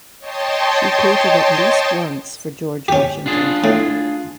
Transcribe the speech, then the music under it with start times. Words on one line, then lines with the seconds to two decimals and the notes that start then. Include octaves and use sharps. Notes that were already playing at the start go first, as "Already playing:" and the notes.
She catered at least once for George Washington.
0.19 C#5 D#5 G5 A5 C6
2.88 C#4 G4
3.26 D4 F4 G#4
3.64 A2